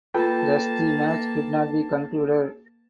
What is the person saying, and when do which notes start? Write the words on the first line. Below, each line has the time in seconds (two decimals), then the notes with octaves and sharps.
Thus the match could not be concluded.
0.14 A#3 F4 A4 B4 G5 A5